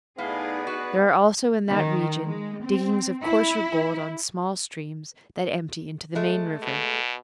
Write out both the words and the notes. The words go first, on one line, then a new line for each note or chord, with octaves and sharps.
There are also in that region diggings of coarser gold on small streams that empty into the main river.
A2 B3 D#4 G#4 D5 F5
F#4 B4
D#3
G#3
C4
E4
G#3 A3
B2